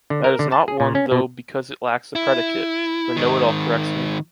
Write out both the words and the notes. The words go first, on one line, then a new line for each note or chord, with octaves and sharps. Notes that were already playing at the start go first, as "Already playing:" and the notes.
That is not one though because it lacks the predicate, the know-it-all corrects me.
D3
A#4
D3
A5
G#4
A#2
C#4
B2
E4
G#2 D#3